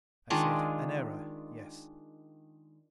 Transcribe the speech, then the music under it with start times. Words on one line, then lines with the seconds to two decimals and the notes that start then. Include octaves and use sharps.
I said, "An error--yes."
0.30 D#3 G#3 D4 F4